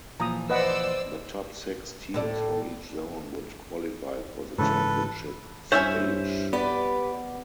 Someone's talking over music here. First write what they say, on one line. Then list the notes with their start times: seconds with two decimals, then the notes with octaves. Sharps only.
The top six teams from each zone would qualify for the championship stage.
0.20 A#2 E3 F3 A#5 D#6
0.50 B4 C5 D5 D#5 F#5 E6
2.14 A2 A4 D5
4.58 G#2 C#3 E3 A4 B4
5.72 G2 C#4 E4 C5 C#5 E5
6.53 B3 G4 B4 D5